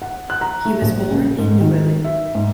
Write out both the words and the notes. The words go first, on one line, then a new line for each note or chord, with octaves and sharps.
He was born at Neuilly.
F#5
F#6
A#5
A3
A#1
C#3
G#2
D#3
E5
G#2